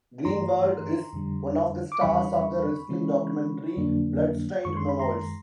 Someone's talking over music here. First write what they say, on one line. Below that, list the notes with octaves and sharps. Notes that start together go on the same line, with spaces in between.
Greenwald is one of the stars of the wrestling documentary, "Bloodstained Memoirs".
G2 E3 A3 A#5 C6
F2 D3 G3
D6
E2 C#3 E3 G3 B5 C#6
C#3 E3 G#3 C#4
F2 D3 F#3 A#3 D4
F#2 D#3 G#3 C#6
C6
B5
A#5 C6